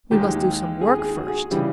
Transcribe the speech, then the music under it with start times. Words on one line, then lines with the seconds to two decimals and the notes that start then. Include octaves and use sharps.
"We must do some work first."
0.11 D#2 D#3 G#3 G4
0.81 G#4
0.99 G#4
1.17 F#4
1.28 G#4
1.51 C#3 E3 G3 G4